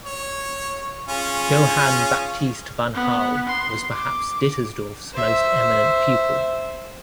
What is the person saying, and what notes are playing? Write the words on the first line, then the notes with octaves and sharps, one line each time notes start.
Johann Baptist Wanhal was perhaps Dittersdorf's most eminent pupil.
C#5
C#4 F4 G#4
B3
C6
D6
C5 E5